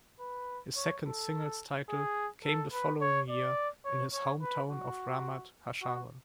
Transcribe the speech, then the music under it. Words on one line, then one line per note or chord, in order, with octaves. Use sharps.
His second singles title came the following year in his hometown of Ramat Hasharon.
B4
C#5
A4
G#4
A4
B4
C#5
D5
C#5
C#5
B4
F#4
F#4